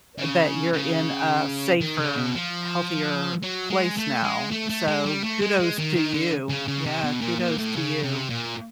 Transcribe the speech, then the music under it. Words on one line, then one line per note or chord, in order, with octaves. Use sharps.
that you're in a safer, healthier place now, so, kudos to you, yeah, kudos to you.
C#3
C#3
D#3
C#3
B2
F3
F#3
G#3
A3
G#3
A3
A3
G#3
G3
A3
G#3
G#3
D#3
D#3
D3
C#3
C#3
C3
B2
A#2
A#2
A2
C#3
C3
A#2